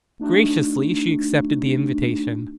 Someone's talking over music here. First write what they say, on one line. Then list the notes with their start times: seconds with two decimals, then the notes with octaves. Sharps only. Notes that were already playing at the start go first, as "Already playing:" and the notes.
Graciously she accepted the invitation.
0.20 A3 D4 D#4 F#4